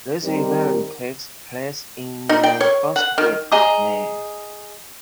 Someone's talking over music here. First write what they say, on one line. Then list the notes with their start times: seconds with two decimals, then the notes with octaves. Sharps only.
This event takes place in the first week of May.
0.23 D#3 G3 C4 G4 A#4
2.29 D#4
2.43 G5
2.61 C#5
2.96 F#5
3.18 D#3
3.52 G#4 D#5 A#5 D#6